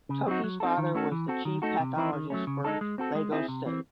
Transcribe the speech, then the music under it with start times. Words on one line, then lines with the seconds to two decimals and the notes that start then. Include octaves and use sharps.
Toki’s father was the chief pathologist for Lagos state.
0.09 C#3
0.27 F#3 C4 D#4 F#4
0.44 F#3
0.60 C4 D#4 A4
0.78 D#3
0.94 A3 C#4 F#4 A4
1.12 E3
1.28 C4 F#4 A4
1.45 D#3
1.62 A3 D#4 F#4 A4
1.79 C3
1.96 E3 C4 E4
2.13 D#3
2.30 F#3 A3 C#4
2.47 C#3
2.64 G#3 D#4 A4
2.81 G#3
2.98 C4 F#4 A4
3.15 G#3
3.32 C4 E4 G#4
3.48 C3
3.66 E3 C4